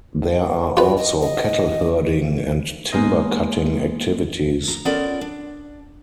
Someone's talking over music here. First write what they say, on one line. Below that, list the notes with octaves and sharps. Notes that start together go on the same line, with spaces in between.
There are also cattle-herding and timber-cutting activities.
F4 F#4 B4
D#5
D#5
G#3 A#3 B3 C5 D#5
A#5
B3 C#4 F4 A4 A#4 D5
D4